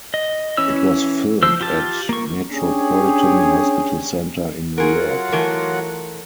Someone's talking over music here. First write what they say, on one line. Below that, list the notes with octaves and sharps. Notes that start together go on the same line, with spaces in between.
It was filmed at Metropolitan Hospital Center in New York.
D#5
E3 C#4 E4 C#5 E6
F3 C5 E6
F4 G4 A5
A#3 C#6
C#4 D4 G4 G#4 C#5
F#3 F4 G#4 A#4 F#5
E3 A3 A#4